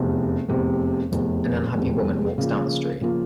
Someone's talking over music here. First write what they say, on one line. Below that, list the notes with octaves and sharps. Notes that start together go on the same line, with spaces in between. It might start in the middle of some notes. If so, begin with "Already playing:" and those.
An unhappy woman walks down the street.
Already playing: F1 E2 C3
F1 E2 C3
F1 E2 C3
F1 E2 C3
C#3 F3 A#3 F4
C#3 F3 A#3 F4